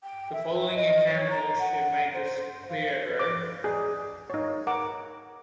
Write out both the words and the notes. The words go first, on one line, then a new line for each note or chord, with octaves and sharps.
The following example should make this clearer.
G5
E5
D#5
C#5
A#5
F#5
C5
F5
D6
G#4 D5 G#5
D#4 C#5
A#4 F#5 A#5 D6